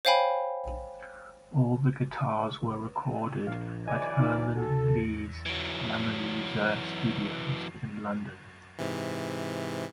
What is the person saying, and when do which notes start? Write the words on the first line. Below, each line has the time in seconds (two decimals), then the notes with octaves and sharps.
All the guitars were recorded at Herman Li's LamerLuser Studios in London.
0.05 C5 C#5 F5 G5 G#5 B5
3.47 A#1 F5
3.88 B1 E3 D5 D#5 G#5
4.20 D#4 E5 D6
4.57 F#4 A4
5.46 E3 F#3
8.79 G#2 C3 E3